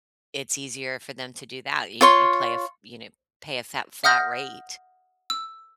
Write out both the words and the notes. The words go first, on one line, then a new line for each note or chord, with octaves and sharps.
it's easier for them to do that. You you play a you know, pay a fat flat rate,
F4 C#5 C6
E5 F#5 D#6 F6 G6 A#6
E6